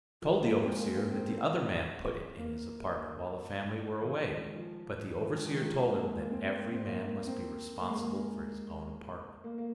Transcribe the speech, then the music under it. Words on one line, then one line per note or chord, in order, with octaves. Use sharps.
He told the overseer that the other man put it in his apartment while the family were away, but the overseer told him that every man must be responsible for his own apartment.
F3
A#3
G#3
C4
A#3
A#3
C4
C4
A#3
D#3
F3
G#3
G#3
F3
D#3
G#3
F3
D#3
D#3
G#3
F3
A#3
G#3
A#3
C4
C4
A#3
C4
A#3
A#3
A#3
C4
A#3
G#3
A#3
A#3
A#3